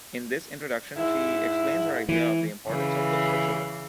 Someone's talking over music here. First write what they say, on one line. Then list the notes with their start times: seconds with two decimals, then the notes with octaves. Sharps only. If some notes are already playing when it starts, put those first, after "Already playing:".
In this introduction, she explains her idea of the importance of books for children.
0.97 G#2 E4
2.09 E3
2.67 C#3 E3